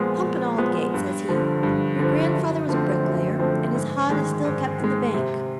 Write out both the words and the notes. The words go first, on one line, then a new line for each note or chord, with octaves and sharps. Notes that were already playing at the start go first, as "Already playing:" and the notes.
'Pump and Aldgate, says he, 'your grandfather was a bricklayer, and his hod is still kept in the bank.
Already playing: A#2 F3 G#3 B3
A#2
F3 G#3 B3
G2
D3 F3
G2
D3 F3
F#2
D3 F3 A3 C4
F#2
D3 F3 A3 C4
G#2
D#3 G#3
G#2
D#3 G#3
C3